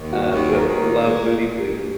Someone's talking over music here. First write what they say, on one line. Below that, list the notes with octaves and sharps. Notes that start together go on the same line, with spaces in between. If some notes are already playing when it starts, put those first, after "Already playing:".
um, but love Moody Blue
Already playing: D#2
F#4
D#2 F#4
G#4
A#4
D#2 G#4
G#3